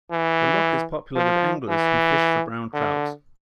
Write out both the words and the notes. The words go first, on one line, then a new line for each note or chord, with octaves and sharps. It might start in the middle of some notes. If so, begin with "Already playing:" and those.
The loch is popular with anglers who fish for brown trout.
E3
F3
E3
D3